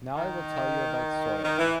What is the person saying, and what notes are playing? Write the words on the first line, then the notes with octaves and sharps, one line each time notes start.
Now I will tell you about soiling.
D#3
D#3
E3